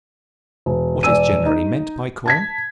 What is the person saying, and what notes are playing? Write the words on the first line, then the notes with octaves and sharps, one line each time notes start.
What is generally meant by Corn?
E1
E1 D5 G#5 E6 D#7
D#4
A5 G#6 B6